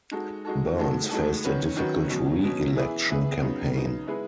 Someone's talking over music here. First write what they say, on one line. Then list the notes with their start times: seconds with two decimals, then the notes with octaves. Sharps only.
Burns faced a difficult re-election campaign.
0.11 G#3 D#4 F#4 A4
0.45 G#3 D#4 F#4 A4
0.78 A2 G#3 D#4 F#4 A4
1.11 A2 G#3 D#4 F#4 A4
1.44 D#3 F#3 C#4 F#4 B4
1.76 D#3 F#3 C#4 F#4 B4
2.10 B2 F#3 C#4
2.43 B2 F#3 C#4
2.76 E3 B3 E4 G#4 B4
3.09 E3 B3 E4 G#4 B4
3.42 C#3 F#3 B3 D#4
3.75 C#3 F#3 B3 D#4
4.07 G#3 B3 E4 G#4 B4